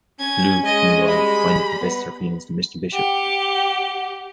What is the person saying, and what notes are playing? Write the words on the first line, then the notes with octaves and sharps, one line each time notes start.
Bleu, meanwhile, finally confesses her feelings to Mr. Bishop.
C#4 G#6
G#3 D#5
G3 B5
B3
G4 F#5